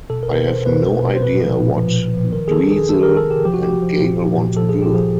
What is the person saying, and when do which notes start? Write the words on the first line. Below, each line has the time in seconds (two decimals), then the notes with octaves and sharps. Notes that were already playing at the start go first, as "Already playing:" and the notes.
I have no idea what Dweezil and Gail want to do.
0.10 B2 A4
0.23 A#4
0.28 B2 B4
0.47 B2 C5
0.66 B2 B4
0.85 B2
1.03 B2
1.15 C5
1.21 A#2 B4
1.41 F3
1.59 A#2
1.77 F3
1.96 A#2
2.14 F3
2.33 D#3 A#4
2.48 G#4
2.51 D#3 A4
2.70 D#3 G#4
2.89 D#3 A4
3.03 A#4
3.08 D#3
3.17 A4
3.26 C3 G4
3.45 F3 G4
3.54 F#4
3.63 F3 G4
3.82 F3
4.01 A#2
4.19 F3
4.38 A#2
4.56 F3 A4
4.69 G#4
4.75 A#2
4.82 G4
4.94 F3 G#4